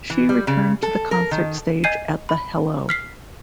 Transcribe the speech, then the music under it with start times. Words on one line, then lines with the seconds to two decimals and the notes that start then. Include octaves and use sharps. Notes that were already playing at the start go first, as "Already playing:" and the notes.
She returned to the concert stage at the Hello!
0.10 E3
0.29 G3
0.47 C#3
0.83 A4
1.11 A#4
1.31 D#3
1.84 D#5 G#5 G6 G#6 C7 D#7
2.29 B5
2.89 F6 B6 C7